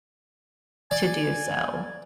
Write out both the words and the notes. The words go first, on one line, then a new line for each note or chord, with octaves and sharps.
to do so."
D5 G#5